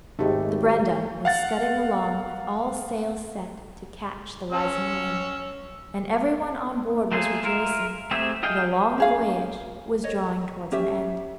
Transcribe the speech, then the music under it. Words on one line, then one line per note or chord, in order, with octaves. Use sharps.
The Brenda was scudding along with all sail set to catch the rising wind, and everyone on board was rejoicing, for the long voyage was drawing towards an end.
G#1 D#2 A3 D#4 G4 G#4
F5 F#5 A6
C#4 E6
A3 A#3 F4 G#4 A4
F4 A#4 E5
A3 C4 G4 G#4 E5
F4 G#4 D#5 G5
C#4 G#4 F5
C#5 D#5
C#4 G4 E5